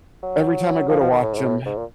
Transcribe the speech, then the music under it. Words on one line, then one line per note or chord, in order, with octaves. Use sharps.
every time I go to watch 'em,
F#3
F3
F3
D#3
A2
G#2
A2
G#2
A#2